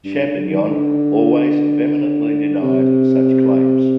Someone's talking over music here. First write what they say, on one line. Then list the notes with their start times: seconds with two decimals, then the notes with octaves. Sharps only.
Champignon always vehemently denied such claims.
0.05 G2
0.25 D3
0.47 D#3
0.69 D3
2.62 C3